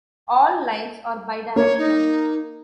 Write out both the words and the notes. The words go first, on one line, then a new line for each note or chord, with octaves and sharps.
All lines are bi-directional.
A#3 C#5
D#4